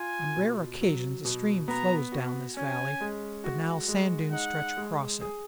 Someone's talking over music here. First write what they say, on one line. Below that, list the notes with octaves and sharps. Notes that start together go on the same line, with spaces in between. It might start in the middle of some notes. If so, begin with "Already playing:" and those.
On rare occasions a stream flows down this valley, but now sand dunes stretch across it.
Already playing: F4 G#5
B2
F#3
B2
B3 A#5
F#4
C#4 G#5
G#3
F#4
G#3
D#4 F#5
G#3
G#4